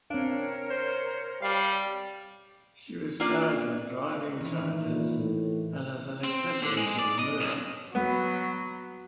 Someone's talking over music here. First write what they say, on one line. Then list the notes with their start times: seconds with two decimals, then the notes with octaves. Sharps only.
She was charged with driving charges and as an accessory to the murder.
0.10 C4 D4 A#4 C#5 F5
0.70 C5
1.42 G3 F5
3.20 A#3 D4 F4 D5
4.40 D#3 E3
4.84 A#2
5.19 A2
6.24 C4
6.63 D3
6.77 G#3
6.99 D5
7.19 D#5
7.40 B1
7.95 F#3 B3